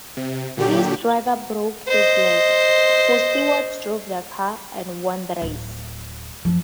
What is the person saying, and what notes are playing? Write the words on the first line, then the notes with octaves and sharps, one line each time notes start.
His driver broke his leg, so Stewart drove the car, and won the race.
C3
A#2 D3 F#3 G4
C5 D#5
D1
F#2 F3